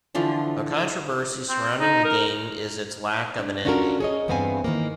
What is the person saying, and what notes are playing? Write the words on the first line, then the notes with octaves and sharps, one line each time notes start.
A controversy surrounding the game is its lack of an ending.
D3 E3 F3 D4
C4
D#4
A#4
D4
C#4 D4 F4 F#4 A4 A#4
G#4 C#5 D#5
E2 G2 B3 C4 F5 G#5
D#3 E3 A#3